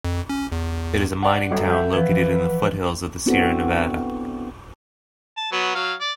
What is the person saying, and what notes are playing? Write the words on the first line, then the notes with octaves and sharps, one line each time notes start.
It is a mining town located in the foothills of the Sierra Nevada.
F2
C#4
E2
D5 F#5
G1 F#3 F#4 A4
E5 F#5 G6
E3 F3 B4
B3 C4 D4 E4 F#4 A4
A5
F#3 B3
F#3 F5
D5